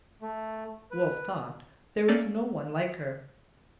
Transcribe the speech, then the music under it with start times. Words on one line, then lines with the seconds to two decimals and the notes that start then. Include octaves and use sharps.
Wolfe thought there was no one like her.
0.22 A3
0.91 B4
2.08 A3 A#3 C#4 A4 D5